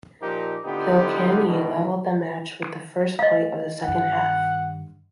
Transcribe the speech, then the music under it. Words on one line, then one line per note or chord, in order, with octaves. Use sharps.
Kilkenny leveled the match with the first point of the second half.
A#2 F3 D#4 G4 A#4
A2 D3 B3 D#4 F4 G4
G#2 B2 D3 D#3
A3 D#5 F5
G2 D#3 F#5